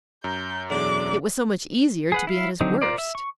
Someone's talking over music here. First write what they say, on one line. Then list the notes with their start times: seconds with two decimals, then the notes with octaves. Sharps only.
It was so much easier to be at his worst.
0.24 F#2 A#5 G6
0.70 B1 E2 D4 A5 D6
2.12 G#4 B4 F#5
2.27 E4 F5
2.61 D3 F#3 C4 D#4
2.82 F4 A#4 C5 D5
2.98 E5
3.15 C#6